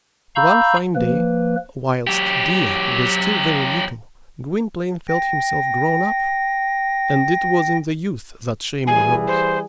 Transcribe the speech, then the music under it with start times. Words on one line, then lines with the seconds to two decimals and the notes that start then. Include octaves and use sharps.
One fine day, whilst Dea was still very little, Gwynplaine felt himself grown up, and it was in the youth that shame arose.
0.36 F5 A#5 B5 C#6 E6 G6
0.96 F3 A#3 B4
2.07 F#3 G4
5.08 G5 A#6
8.87 E3 G3 G#4 G#5
9.27 C5